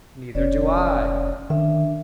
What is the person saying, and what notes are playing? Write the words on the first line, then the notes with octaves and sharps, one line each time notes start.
"Neither do I."
F1 C#4 C#5 D5
D#3 D4 E5